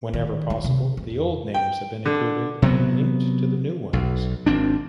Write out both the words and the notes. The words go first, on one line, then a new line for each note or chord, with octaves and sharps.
Wherever possible, the old names have been included and linked to the new ones.
D#3
D#4
C3
F2
G5
D3
C3 F#3 B3
B1
G#1 C4 D4